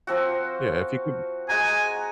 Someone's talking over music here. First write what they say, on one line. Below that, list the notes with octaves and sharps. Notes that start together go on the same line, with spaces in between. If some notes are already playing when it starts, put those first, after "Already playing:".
Yeah, if you could
F3 C4 F#4
G#3 F#4 G#5 A#5